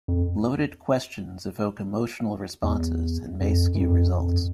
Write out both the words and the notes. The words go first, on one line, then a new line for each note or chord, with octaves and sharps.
Loaded questions evoke emotional responses and may skew results.
F2
E2
F2
F#2
F2
F2